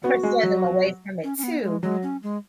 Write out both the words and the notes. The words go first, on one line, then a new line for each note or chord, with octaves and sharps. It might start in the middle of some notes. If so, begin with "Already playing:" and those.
"persuade them away from it too?"
B3 F#4
G#3
F#3
C#4
C#4
B3
G#3
F#3 G#3
C#4
G#3